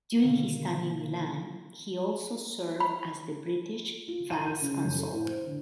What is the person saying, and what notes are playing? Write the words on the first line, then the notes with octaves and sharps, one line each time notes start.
During his time in Milan, he also served as the British vice-consul.
B2 D3 D#3 A#3
B5
F4
D#7
G6
C#3
F#2
A4
A2
C5
D3